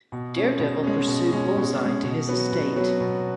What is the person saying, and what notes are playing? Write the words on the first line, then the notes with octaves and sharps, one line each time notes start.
Daredevil pursued Bullseye to his estate.
B2
G#3 C#4
B2
G#3 C#4
B2
G#3 C#4
B2
G#3 C#4
B2
F#3 B3 F#4
B2
F#3 B3 F#4
B2